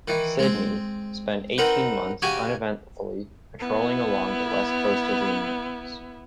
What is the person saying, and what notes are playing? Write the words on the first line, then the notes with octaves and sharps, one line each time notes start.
"Sydney" spent eighteen months uneventfully patrolling along the west coast of the Americas.
D#3 E3
G#3 C4
C4 D#4 A#4 B4 F#5
C#3 F#4 G4 G#5
B3 E4